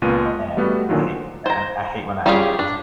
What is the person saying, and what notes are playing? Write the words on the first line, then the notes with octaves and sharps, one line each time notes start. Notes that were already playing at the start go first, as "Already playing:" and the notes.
And I hate and I hate when that happens.
C#2 A#2 B3 F4 C6 D#7
D#5
G3 A3 B3 F#4
A#2 D3 D#3 F#3 F4
C5
C5 A#5
G3 C#4 F4 G4 G#4
D4